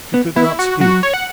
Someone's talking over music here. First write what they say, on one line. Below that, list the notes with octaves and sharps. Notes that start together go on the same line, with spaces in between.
She could not speak.
B3
B3 E4
F#4
F#3 F#4
C#5
F#5